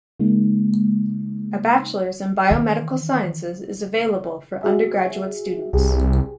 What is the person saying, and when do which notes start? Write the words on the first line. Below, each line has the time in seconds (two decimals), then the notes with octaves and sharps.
A bachelors in biomedical sciences is available for undergraduate students.
0.20 C#3 G#3 A#3 D#4
2.50 D#3 E3
4.63 F#4 G#4 E5
5.73 C2 G4 G#4